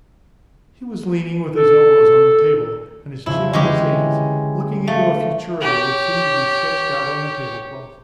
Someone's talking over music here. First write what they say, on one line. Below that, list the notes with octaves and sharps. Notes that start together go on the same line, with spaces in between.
He was leaning with his elbows on the table and his chin on his hands, looking into a futurity which seemed to be sketched out on the tablecloth.
A4
F2 C#3 E4
D3 E3 G#3 C#4 E4 G4
A3 E5 F5
G4 C#5